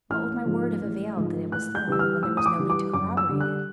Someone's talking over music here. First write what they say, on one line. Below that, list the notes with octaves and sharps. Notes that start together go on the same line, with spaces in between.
What would my word have availed that it was Thorn, when there was nobody to corroborate it?
A1 F6
G#2 F3
A1
G#2 F3
A2 F#6
G6
E3 G3 E6
F6
A2 E6
D#6
D6
E3 G3
D6
F#2 D6
E6
D3 G3
F#6